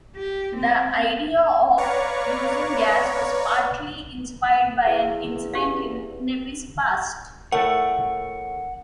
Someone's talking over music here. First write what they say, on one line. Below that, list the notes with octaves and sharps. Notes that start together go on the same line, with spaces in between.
The idea of using gas was partly inspired by an incident in Nebe's past.
G4
C4
B4 C#5 D5 F5 A#5 C#6
E2
G4 F5
A2 A3 A4 A#4 F#5